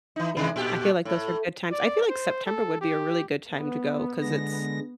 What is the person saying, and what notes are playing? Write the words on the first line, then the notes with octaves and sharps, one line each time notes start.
Yeah, I feel like those are good times. I feel like September would be a really good time to go 'cause it's
E3 D#4
C3 E3 G#3
A#2 G4
A2
D5
C5
A4
G4
B3
D3 G#3 A#6